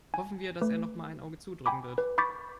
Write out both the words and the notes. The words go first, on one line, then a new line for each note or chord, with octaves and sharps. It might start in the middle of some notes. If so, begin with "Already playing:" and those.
Hoffen wir, dass er nochmal ein Auge zudrücken wird.
G#5
A3 B4
G5 G#5 B5 D6
B4
B5 C#6 D6 G6 A6 B6